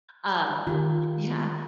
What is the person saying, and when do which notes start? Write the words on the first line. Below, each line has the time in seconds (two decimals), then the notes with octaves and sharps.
Um, yeah.
0.67 D#3 F4 G4 A#4